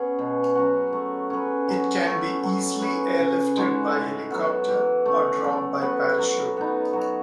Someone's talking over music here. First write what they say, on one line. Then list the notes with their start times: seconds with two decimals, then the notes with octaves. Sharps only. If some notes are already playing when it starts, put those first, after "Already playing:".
It can be easily airlifted by helicopter, or dropped by parachute.
Already playing: B3 C#4 G#4
0.19 B2
0.55 F#3 C#4 F#4
0.93 A3
1.30 C#4 G#4 B4
1.68 F#3
2.05 A3 C#4
2.43 F#3
2.81 C#4 G#4 B4
3.19 C#3
3.56 G#3 D#4 F#4
3.93 A2
4.30 F#3 B3 F#4
4.68 E3
5.05 A3 C#4
5.43 F#3
5.81 B3 F#4 B4
6.18 F#3
6.57 B3 D#4
6.93 F#3